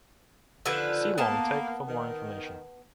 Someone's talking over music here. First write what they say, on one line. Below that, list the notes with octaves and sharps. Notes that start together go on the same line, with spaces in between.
See Long take for more information.
D3 D#3 F3 B4 G#5
A#3 B3 A5
D#3